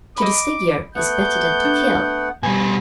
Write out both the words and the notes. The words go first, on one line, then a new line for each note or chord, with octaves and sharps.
To disfigure is better than to kill.
D#5 B5 D6
A3 B3 F#5 G6
D4
B2 G3 G#5